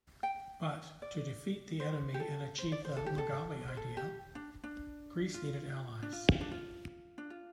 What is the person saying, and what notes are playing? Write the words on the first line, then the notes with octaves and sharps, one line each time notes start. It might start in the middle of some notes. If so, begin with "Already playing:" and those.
But to defeat the enemy and achieve the "Megali Idea", Greece needed allies.
G5
D5
C5
G4
A4
C5
D5
C5
A4
G4
A4
C5
A4
G4
D4
D4
F4
D4
F4
D4
F4
D4
F4